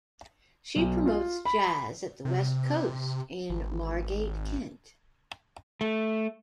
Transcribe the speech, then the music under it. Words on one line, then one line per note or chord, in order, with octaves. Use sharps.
She promotes Jazz at the Westcoast in Margate, Kent.
B1
F4
B5
C3
G#1
A3